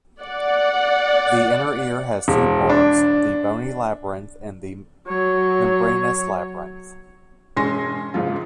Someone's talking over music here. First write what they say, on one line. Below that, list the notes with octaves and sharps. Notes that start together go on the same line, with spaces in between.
The inner ear has two parts: the bony labyrinth and the membranous labyrinth.
D5 F#5
E1
D4
F#3 C#5
E1 G#3 C#4 G#5 C6 A#6
E1 C#2 G#2 F3 F4